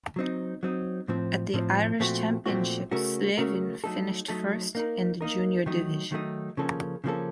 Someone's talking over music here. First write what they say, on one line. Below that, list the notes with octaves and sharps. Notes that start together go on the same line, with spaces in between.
At the Irish Championships Slevin finished first in the junior division.
F#3 C4 D#4
F#3 C4 D#4
A2 F3 C4
A2 F3 C4
A#2 F3 A3 C4 F#4
A#2 F3 A3 C4 F#4
C#3 A3 C#4 F#4 A#4
C#3 A3 C#4 F#4 A#4
F#3 A3 D#4 A4
F#3 A3 D#4 A4
A#3 D#4 A#4
A#3 D#4 A#4
D#3 F#3 A3 D#4
D#3 F#3 A3 D#4
C#3 F3 A#3 C#4 A4
C#3 F3 A#3 C#4 A4